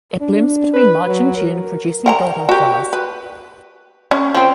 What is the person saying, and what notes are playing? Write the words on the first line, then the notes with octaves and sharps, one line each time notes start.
It blooms between March and June producing golden flowers.
D4
B4
F#3
A#4
A#4 F#5 A#5
F#4 G4
B4
C#4
F3 C4